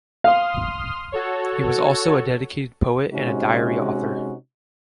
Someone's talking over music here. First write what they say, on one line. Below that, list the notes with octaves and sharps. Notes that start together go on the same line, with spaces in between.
He was also a dedicated poet and a diary author.
F5 C6 D#6 F6
F#4 A4 C#5
C3 G#3 C#4 D#4 F#4